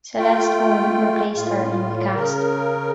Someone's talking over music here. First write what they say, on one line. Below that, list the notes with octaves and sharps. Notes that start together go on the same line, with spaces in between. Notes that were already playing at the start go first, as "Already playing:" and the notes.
Celeste Holm replaced her in the cast.
A3 F4 G5
A2 F4
C#3 A#4